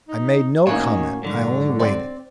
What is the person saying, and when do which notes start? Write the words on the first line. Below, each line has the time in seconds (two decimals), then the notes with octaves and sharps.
I made no comment; I only waited.
0.08 D#4
0.67 A2 D#3 A#3 C#4 F#4 C#5
1.23 G#2 D3 F#3
1.80 C4 D5